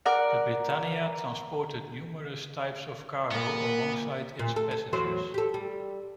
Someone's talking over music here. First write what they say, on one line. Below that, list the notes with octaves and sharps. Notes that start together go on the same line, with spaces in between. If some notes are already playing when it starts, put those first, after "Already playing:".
The Britannia transported numerous types of cargo alongside its passengers.
A#4 D5 F#5
A#2 A#3 B3
A#2
A4
A4
E2 F#3 C5
G4 A4
G3